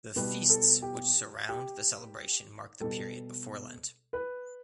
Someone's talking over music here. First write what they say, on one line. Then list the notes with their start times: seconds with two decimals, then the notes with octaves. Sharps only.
The feasts which surround the celebration mark the period before Lent.
0.16 B2 G3 B4
0.49 A4
0.82 G4
1.49 G4
2.81 B2 G3 A4
4.13 B4